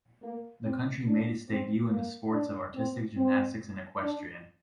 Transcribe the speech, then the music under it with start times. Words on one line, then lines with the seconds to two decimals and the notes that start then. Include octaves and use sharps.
The country made its debut in the sports of artistic gymnastics and equestrian.
0.22 A#3
0.63 C4
1.06 D4
1.49 C4
1.90 A#3
2.32 D4
2.75 C4
3.17 C4
4.02 D4